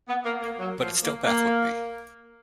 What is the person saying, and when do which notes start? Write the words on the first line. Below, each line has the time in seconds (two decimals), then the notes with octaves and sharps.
But it still baffled me.
0.09 B3
0.26 A#3
0.42 A#3
0.59 F#3
0.81 F3
1.04 A#3
1.26 A#3